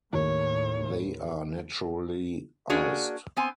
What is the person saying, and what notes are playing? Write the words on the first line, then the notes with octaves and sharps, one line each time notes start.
They are naturally iced.
D#2 A2 C#5
A#3 C#4 D4 F#4 G#4
B3 C4 G#5